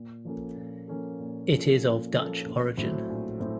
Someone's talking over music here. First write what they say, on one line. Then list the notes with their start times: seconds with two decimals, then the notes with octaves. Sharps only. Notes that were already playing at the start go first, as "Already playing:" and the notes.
It is of Dutch origin.
Already playing: A#2
0.25 F3 A#3 C#4 A4
0.57 A#2
0.88 F3 A#3 C#4 A4
1.19 A#2
1.51 F3 A#3 C#4 A4
1.83 A#2
2.14 F3 A#3 C#4 A4
2.45 A#1
2.77 A2 F#3 C4
3.09 A#1
3.40 A2 F#3 C4